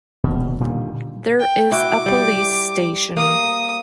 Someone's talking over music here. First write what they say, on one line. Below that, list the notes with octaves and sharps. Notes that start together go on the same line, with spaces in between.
There is a Police Station.
D#1 B2
A#2 D3 D#3 G3
G5
E4 F#4 D6
G3
A#3 D#6